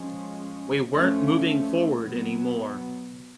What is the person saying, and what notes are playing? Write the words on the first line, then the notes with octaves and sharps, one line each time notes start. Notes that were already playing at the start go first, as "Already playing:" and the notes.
We weren't moving forward anymore.
Already playing: F3 G#3 C#4
F3 A3 C#4
B2 F#3 B3